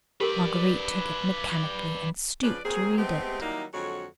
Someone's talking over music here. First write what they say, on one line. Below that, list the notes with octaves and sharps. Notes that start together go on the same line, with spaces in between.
Marguerite took it mechanically and stooped to read it.
G4 A#4 B4 D5
C#3 F3 B4 D5
F#3 A#3 C4 G#4
G#3 A3 B3 C4 G4
D#3 F#3 G3 A#3 D#4 E4
F2 D3 F#3 G#3 F#4 C#5